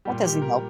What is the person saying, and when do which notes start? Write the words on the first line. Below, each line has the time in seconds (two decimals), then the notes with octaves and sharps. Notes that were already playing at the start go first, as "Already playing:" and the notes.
That doesn't help.
0.05 A#2 G3 G4
0.24 G4
0.42 A#4